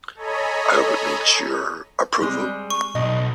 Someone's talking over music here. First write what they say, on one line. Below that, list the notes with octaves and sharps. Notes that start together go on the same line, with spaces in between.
I hope it meets your approval?
A4 C#5 D#5 G#5 A#5 B5
G3 G#3 C4
C#6
B1 D#5